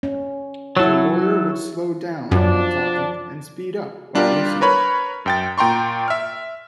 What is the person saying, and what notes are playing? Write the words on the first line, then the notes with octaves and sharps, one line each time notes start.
The lawyer would slow down while talking and speed up while listening.
C#4
F#3 E4 A4 C#5
F#2 F3 D4
G3 D4 F4 G4 A#4
A#4 B4 C#5 B5
F#2 G5 A6
A#2 G5 A#5 C6 C#6
E5 F6